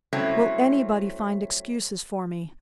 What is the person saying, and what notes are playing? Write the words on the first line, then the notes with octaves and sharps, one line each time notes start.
Will anybody find excuses for me?
F#3 G3 A3 C4 C#4 E4